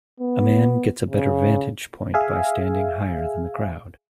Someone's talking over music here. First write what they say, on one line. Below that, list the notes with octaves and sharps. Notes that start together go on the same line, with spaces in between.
A man gets a better vantage point by standing higher than the crowd.
B3
C#3
G#4 E5 F5 G#5